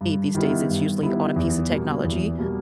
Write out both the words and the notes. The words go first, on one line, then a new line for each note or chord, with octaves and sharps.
these days, it's usually on a piece of technology,
G2
D#3 G3 B3 E4
G2
D#3 G3 B3 E4
E2
B2 G3 A#3
E2
B2 G3 A#3